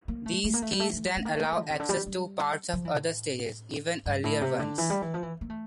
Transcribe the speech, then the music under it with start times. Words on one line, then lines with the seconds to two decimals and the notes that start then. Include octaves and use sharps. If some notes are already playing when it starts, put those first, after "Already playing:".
These keys then allow access to parts of other stages, even earlier ones.
0.08 A#3
0.26 A3
0.44 A3
0.54 A#3
0.62 A3
0.72 G3
0.80 A3
0.93 A3
1.05 G3
1.17 A3
1.25 A#3
1.34 A3
1.44 A#3
1.52 A3
1.62 D3
1.70 C3
1.80 D3
1.89 G3
2.07 G3
2.73 F3
2.85 E3
2.97 A2
4.06 G2
4.24 A2
4.41 C3
4.59 D3
4.78 E3
4.90 G3
5.02 E3
5.14 F3
5.23 E3
5.41 A#3
5.50 A3